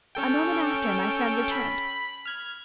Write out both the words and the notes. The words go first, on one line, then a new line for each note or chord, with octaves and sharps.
A moment after my friend returned.
C#4 A4 G5
B5
F6 G#6